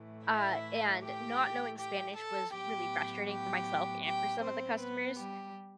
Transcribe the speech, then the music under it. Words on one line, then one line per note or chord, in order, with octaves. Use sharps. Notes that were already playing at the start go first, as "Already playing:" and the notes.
uh, and not knowing Spanish was really frustrating for myself and for some of the customers,
Already playing: A2 E3 A3
E4 E5
G4 G5
G4 G5
A4 A5
A2 F#3 B3 G4 G5
G4 G5
G4 G5
C4 C5
B3 B4
G3 G4